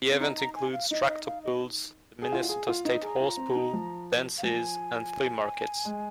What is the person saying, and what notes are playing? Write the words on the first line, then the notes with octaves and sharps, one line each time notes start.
The event includes tractor pulls, the Minnesota State Horsepull, dances and flea markets.
C4
D#4 A#5
A#5
G#5
F5
D#4 D#5
D#5
F5
D#5
G#4
F4
F4
G#4
F4
D#4
G#4 A#5
F4
C4
D#4
F3
F5
F3 G#5
G#3